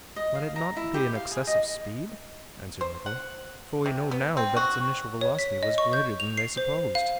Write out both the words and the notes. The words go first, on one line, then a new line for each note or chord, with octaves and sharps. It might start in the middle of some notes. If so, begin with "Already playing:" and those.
"Might it not be an excess of speed?" answered Nicholl; "for we know now that its initial velocity was greater than they supposed."
D#5
F5
A#5
E4
G4
F5
G#4
D#5
C5
F#5
C3
B3
C4
F#4
C#5
B6
D#5
C#6
G6
F7
C7
C5
F5